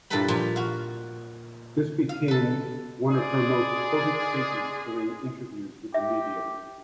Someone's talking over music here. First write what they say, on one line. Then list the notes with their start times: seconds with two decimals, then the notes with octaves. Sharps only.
This became one of her most quoted statements during interviews with the media.
0.10 G2 A#2 E4 A4 B4 B5
0.28 A#2 F3 F4
0.56 F#4 F5
2.09 F5
2.28 A4 B4
3.09 G#3 G#4 D5
5.94 G4 E5